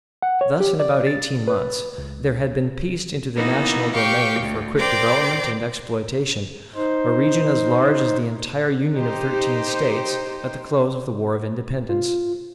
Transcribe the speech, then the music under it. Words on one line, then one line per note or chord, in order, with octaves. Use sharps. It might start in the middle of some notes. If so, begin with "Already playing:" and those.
Thus in about eighteen months there had been pieced into the national domain for quick development and exploitation a region as large as the entire Union of Thirteen States at the close of the War of Independence.
F#5
C#5
G4
D5
A6
B4
C#2
E3 A#3 B3 D#4
G4 F5 G5 C#6
D2
A#4 C5 D5 G5 D6
D#4 C5
D#4 G4 C5
F4